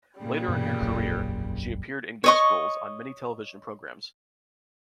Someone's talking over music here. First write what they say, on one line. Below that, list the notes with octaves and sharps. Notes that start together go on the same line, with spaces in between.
Later in her career, she appeared in guest roles on many television programs.
A#2 C#3 G3
G2 B2 E3
E1 A#1 F#2
C#5 D#5 C#6